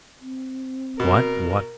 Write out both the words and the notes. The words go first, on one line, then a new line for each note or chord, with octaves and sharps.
What, what!
C4
B2 A#4